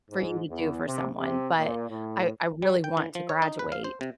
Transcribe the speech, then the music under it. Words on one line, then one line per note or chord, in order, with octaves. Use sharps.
for you to do for someone, but I I really want to graduate
G#2
E2
C3
C3
A#2
A2
G3
G5
E3
F3
C#5
D#4
B4
F5
C5
C3